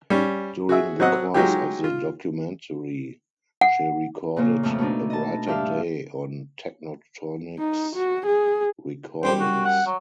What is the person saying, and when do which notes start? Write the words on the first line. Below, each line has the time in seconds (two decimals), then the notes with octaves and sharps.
During the course of the documentary, she recorded "A Brighter Day" on Techntoniks Recordings.
0.10 G3 C#4
0.69 F#4 G#4 E5
1.00 F#3 C4 D#5 F#5
1.34 F#3 G#3 D#4 F4 G4
1.84 F4
3.61 F#5
4.36 A#2 C#3 A#3
4.63 F2 A2 F3 A3
4.78 B2 A3 D4 D#4
5.10 D#5 A5
5.46 G2 D4 G4 E5 F5
7.59 D#4
7.95 F#4
8.26 G#4
9.23 F#2 G3 G4 C5
9.40 F#4
9.65 F#5
9.86 F#3